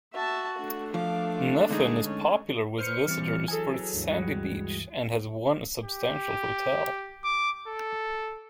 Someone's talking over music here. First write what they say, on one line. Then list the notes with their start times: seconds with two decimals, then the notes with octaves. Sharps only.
Nefyn is popular with visitors for its sandy beach, and has one substantial hotel.
0.14 F#4 E5 A5
0.59 A3 D4
0.94 F3 F5 D6
1.38 F4
1.70 D3 G#3 D#4 G#4
2.08 C#4
2.78 B4 C5 F6 C#7
3.08 E3 G3 C4
3.48 E3 F#3 G#4 A4 G#5
3.93 D2 G2 E3
4.10 G3 G#3 F#4
5.83 G4
7.24 D6
7.68 A4